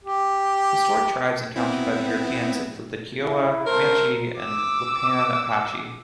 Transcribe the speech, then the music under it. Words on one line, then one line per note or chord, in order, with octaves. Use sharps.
Historic tribes encountered by Europeans included the Kiowa, Comanche, and Lipan Apache.
G4
B3 C4 E4
E4
A3 A#4 C5
D6 E6